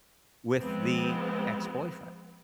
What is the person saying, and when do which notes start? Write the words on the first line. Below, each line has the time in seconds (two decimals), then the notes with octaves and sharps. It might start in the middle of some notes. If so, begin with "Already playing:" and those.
with the ex-boyfriend.
0.60 F3 G#3 B3 C4